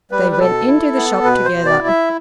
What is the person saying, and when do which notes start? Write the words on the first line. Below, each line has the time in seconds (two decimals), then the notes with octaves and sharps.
They went into the shop together.
0.11 G3 B4
0.32 B4
0.39 B2 A4
0.67 E4
0.96 B3
1.24 B2 B4
1.44 C5
1.52 B2
1.65 D5
1.79 E4
1.87 E5